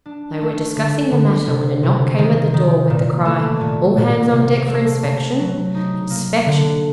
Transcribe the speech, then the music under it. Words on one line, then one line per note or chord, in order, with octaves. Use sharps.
They were discussing the matter when a knock came at the door with the cry, "All hands on deck for inspection." Inspection!
D4
A3
D3
D3
C3
C3
D#3
D#3
A#2
A3
A#2
A#2
C3
A3
C3
F#3
D#4
A#3
D3